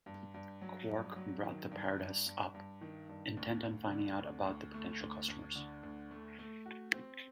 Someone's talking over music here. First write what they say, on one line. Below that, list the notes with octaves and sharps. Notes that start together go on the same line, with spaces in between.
Quark brought the Paradas up, intent on finding out about the potential customers.
G2
G2
F#3
G2
F#3
D#3
G2
G2
G2
G2
D#3
G2
D2
D2
D3
D2
D2
A3
D2
D2
D3
D2
A3
A3
F#4
C4